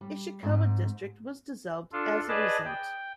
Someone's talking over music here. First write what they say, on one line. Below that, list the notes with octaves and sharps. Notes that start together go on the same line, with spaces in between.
Ishikawa District was dissolved as a result.
G3
G#2 C4
D4 F4 A4
G#4 B4 D5 D#5 A5
G5